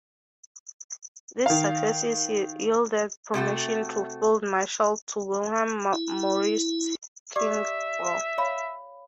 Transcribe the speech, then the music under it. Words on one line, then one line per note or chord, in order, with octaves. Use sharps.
These successes yielded promotion to Field Marshal to Wilhelm Mauritz Klingspor.
D#3 F5
C3 A3 F#4 A4
E4
G4 D5 E5 D6
C#5 F5 B5